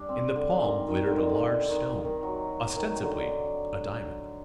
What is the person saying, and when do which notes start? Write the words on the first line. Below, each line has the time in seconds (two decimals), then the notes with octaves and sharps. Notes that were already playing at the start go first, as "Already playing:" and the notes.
In the palm glittered a large stone--ostensibly a diamond.
Already playing: G3 D4
0.09 C4
0.36 D3
0.63 D#3
0.88 D#3
1.07 D3
1.16 D#3
1.29 D3
1.69 D#3
2.05 D#3
2.23 F#3
2.76 D#3
3.03 D3